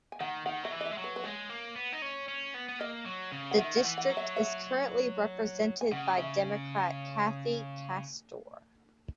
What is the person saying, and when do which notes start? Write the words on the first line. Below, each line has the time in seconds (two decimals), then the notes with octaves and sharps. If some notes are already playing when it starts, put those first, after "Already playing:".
The district is currently represented by Democrat Kathy Castor.
0.12 G#5
0.20 D#3 F#5
0.46 D#3 F#5
0.63 F#3 E5
0.72 E3
0.81 D#5
0.85 E5
0.91 G#3
0.98 F#3
1.04 B4
1.16 B4
1.24 G#3 C#5
1.49 A#3
1.76 B3
1.93 D#4
2.02 C#4
2.29 C#4
2.54 B3
2.69 B3
2.80 A#3 D#5
3.06 F#3
3.32 C#3
3.51 F#5
3.58 D#3 E5
3.77 F#5
3.84 E3
3.98 F#5
4.10 F#3
4.17 E5
4.36 E5
5.81 G#5
5.92 C#3 F#5
6.18 E5